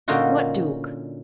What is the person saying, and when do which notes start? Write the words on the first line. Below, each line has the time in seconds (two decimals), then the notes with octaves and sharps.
"What duke?"
0.08 A#2 D3 C#4 D#4 F4 F#4